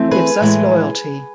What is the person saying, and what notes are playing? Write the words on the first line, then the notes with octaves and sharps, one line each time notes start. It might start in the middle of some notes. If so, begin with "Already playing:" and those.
He gives us loyalty.
Already playing: E3 A3 C4
G#4 B4
A2 E3 G#3